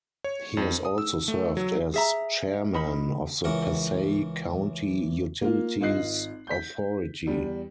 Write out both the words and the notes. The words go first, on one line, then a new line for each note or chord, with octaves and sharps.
He has also served as Chairman of the Passaic County Utilities Authority.
C#5
F2
D#6
E6
A3
F#3
G#4 E5 A#5
D#4 B5
C#2 E3 A#4 F#5 C#6
A#3 F4
G#1 F4 D#5 F#6 C7
G6 B6
E2 G3